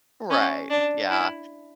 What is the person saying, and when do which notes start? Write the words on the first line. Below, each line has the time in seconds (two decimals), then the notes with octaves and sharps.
Right, yeah.
0.30 C#4
0.70 D4
1.10 E4